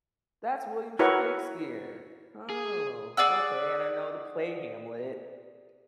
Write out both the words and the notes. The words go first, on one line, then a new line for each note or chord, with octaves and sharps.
that's William Shakespeare. Oh, okay." And I know the play Hamlet,
E4 F#4 A#4 B4 C#5
G#4
G#4 D5 F#5 E6